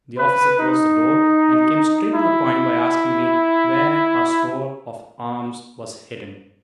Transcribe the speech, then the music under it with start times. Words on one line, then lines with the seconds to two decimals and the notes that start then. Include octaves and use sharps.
The officer closed the door and came straight to the point by asking me where our store of arms was hidden.
0.18 B4
0.58 D#4
2.15 E4